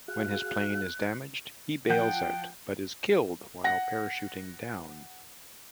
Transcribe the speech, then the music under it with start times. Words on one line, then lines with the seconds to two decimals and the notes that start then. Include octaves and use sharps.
When his plane is damaged, he bails out, but is killed while parachuting down.
0.08 F#4 G#4 F5 F#6
1.89 F3 F#5 G5 G6
3.64 F#5 A#6